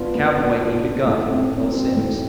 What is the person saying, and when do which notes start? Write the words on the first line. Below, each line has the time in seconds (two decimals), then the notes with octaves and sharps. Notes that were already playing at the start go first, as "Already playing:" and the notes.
A cowboy aimed a gun at Phil Simms.
Already playing: B3 D4 F4
0.15 B3
0.38 D4
0.61 F4
0.83 D4
1.06 A2
1.29 C4
1.51 C4
1.73 C4
1.96 A2